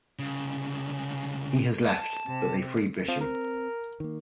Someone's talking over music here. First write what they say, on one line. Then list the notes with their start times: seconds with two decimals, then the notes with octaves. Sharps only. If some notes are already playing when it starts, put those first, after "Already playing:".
He has left, but they free Bisham.
0.19 C2 C#3
1.90 A5
2.27 C3
3.08 F3 C4
3.21 A#4
4.00 D#3 A#3